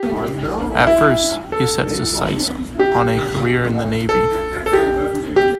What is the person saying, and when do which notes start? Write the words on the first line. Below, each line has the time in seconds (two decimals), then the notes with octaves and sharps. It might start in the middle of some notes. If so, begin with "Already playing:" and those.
At first, he set his sights on a career in the Navy.
Already playing: G4
0.87 E4
1.52 A4
2.79 G4
4.09 A4
4.66 A4
4.73 G4
5.36 G4